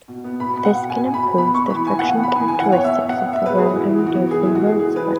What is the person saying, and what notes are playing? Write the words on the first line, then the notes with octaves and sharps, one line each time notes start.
This can improve the friction characteristics of the road and reducing road spray.
B2
B3
B2 B5
B3
F#5
B2
B2 G#5
B2
B5
B2
B3 B5
B3 C#6
E3 B5
E3 G#5
F#5
B3
B3 B5
E3 G#5
G#5
E3
F#5
B3 C#5
B3 E5
B3
F#5
B3
B3 E5
B4
G#3
G#4
E3 F#4
E3 E4
E3
F#4
B3
E3 G#4
E4
G#3
F#4
E3 G#4
E3 G#4
E3 B4